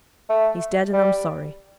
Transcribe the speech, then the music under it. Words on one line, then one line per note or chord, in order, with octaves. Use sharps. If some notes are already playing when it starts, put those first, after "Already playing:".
He's dead, and I'm sorry.
A3
G3